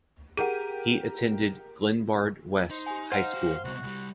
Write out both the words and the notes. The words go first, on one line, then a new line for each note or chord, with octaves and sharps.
He attended Glenbard West High School.
G4 G#4 A#4 F#5 D#7
D#4 C5
G4 G#5
D#4 C5 F5 F#5 A#5
F#4 G4
C2 B2 F#4
C2 G3